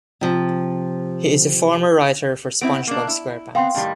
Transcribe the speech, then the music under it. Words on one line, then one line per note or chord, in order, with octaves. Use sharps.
He is a former writer for "SpongeBob SquarePants".
C3 F3
B3 C4 E4 D7
A#3 D4
E4
B3 C4 F5 G5 C6
A2 D#3 G3